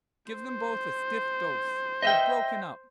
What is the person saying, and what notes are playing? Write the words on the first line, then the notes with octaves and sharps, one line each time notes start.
Give them both a stiff dose: they've broken up.
C5
D#5 E5 G5